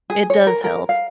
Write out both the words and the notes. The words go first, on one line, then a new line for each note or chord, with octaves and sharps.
It does help.
G#4
C#5
A#4
A#4
F5